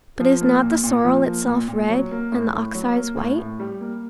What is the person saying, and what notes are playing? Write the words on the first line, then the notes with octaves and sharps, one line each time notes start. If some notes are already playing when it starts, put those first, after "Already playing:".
But is not the sorrel itself red, and the oxeyes white?
F3
A#3
A#2
A#2
F3
A#3
A#2
A#2
F#3
A#3
A2
A2
F#3
A#3
A2
A2
G3
A#3